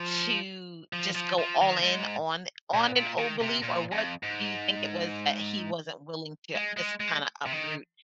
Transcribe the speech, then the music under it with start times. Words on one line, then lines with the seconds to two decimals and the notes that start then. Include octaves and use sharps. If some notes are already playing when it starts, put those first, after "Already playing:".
to just go all in on on an old belief or what do you think it was that he wasn't willing to just kinda uproot,
Already playing: F3
0.93 F3
1.15 F3
1.38 F3
1.61 D#3
1.83 G#2
2.74 A#2
2.96 A#2
3.18 D#3
3.41 C3
3.63 A#2
3.92 F2
4.23 G#2
6.55 G#3
6.77 G#3
7.00 G#3
7.46 C3
7.52 D#3